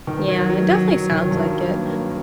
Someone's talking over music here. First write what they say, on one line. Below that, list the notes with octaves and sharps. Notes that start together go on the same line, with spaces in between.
Yeah, it definitely sounds like it,
D#3
F#3
F#3
F#3
F#3
D#3
G2
F#3
A#3
A#3